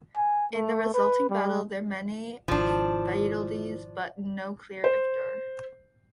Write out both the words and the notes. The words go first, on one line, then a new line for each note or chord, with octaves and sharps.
In the resulting battle there many fatalities, but no clear victor.
G#5
A3
B4
G3
G#1 B2 F3 D4 E4 F4 C5
C5